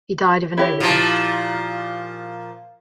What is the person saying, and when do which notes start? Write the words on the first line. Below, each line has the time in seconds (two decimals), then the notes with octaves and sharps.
He died of an overdose.
0.58 E4 G4 C#5
0.80 A#2 F3